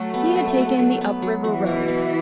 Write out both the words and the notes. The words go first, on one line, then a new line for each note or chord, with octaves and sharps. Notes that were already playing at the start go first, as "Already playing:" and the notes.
He had taken the up-river road.
Already playing: F#3 A3 F#4
B3
F#3
F#4
F#3
B3
F#3
E3 F#4
B2
B3